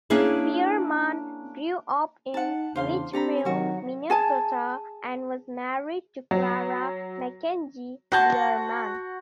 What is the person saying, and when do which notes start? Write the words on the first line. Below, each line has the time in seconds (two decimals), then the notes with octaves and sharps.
Bierman grew up in Litchfield, Minnesota and was married to Clara McKenzie Bierman.
0.10 A#3 C#4 D4 E4 G#4
2.34 D#4 F#5 A5
2.76 E2 C#3 D4 C5 F5 C6
3.13 C4 D4 G4 A4 A#5 B5
3.45 C3 D#3 F#3 F#4 C#6
4.10 G#4 G#5 A5
6.31 F#3
8.12 F#4 C5 F#5 A5 G6